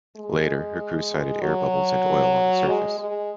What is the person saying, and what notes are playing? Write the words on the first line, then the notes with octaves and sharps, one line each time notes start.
Later, her crew sighted air bubbles and oil on the surface.
G#3
F#3
G#3
G#3